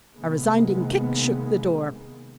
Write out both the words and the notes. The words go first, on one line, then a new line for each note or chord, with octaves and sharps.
A resounding kick shook the door.
C3 D#3 G#3 A#3 B3